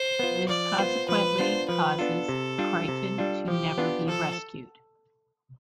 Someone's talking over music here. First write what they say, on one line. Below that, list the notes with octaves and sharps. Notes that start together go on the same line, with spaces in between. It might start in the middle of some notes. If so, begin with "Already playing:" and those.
This consequently causes Kryten to never be rescued.
Already playing: C5
B3 F4
F3 D5
B3 F4 C5
F3 B4
B3 D4 F4 C5
F3 B4
B3 D4 F4 A4
C3
G3 D4 F4
C3
G3 D4 F4
F3 G4
B3 D4 F4
F3 A4